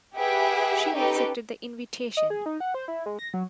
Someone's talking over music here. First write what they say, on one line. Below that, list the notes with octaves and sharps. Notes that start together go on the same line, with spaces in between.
She accepted the invitation.
G4 G#4 B4 E5 F#5 G5
C#4 D#4 G4 A4 B4
D#5
G#4
D#4
F#5
C5
E4
G#3
A#6
F#3